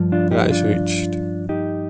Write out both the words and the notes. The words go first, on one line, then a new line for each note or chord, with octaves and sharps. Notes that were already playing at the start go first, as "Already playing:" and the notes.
Price reached.
Already playing: G2 F3
D4 F4
D#4 G4
D4 F4
D#4 G4